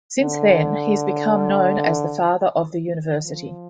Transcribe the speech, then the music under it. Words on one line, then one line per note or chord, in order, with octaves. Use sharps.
Since then, he has become known as The Father of the University.
D3
F3